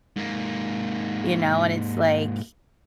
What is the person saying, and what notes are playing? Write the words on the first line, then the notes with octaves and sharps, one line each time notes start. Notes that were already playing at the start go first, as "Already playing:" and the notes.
you know? And it's, like,
G#2 A#3